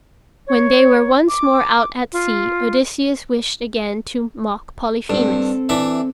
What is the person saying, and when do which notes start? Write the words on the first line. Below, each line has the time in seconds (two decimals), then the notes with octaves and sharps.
When they were once more out at sea, Odysseus wished again to mock Polyphemus.
0.47 C#5
1.28 D6
2.13 F4
5.09 G2 C4 A4
5.69 E3 D4 E5